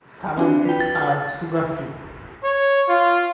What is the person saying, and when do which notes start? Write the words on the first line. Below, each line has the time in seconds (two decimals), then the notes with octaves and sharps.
Some of these are sugar free.
0.37 C4 D4 F#4
0.65 B4 G5
0.80 A6
2.44 C#5
2.89 F4